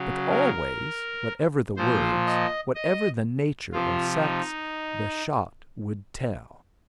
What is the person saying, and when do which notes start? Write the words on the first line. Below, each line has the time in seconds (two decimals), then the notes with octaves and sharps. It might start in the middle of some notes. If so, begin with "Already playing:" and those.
But always, whatever the words, whatever the nature or sex, the shot would tell.
Already playing: C#3 F#3
0.30 A#4
1.76 A#2 F3 C5
2.26 D#5
2.75 D#5
3.72 C3 F3 F4
4.21 D#4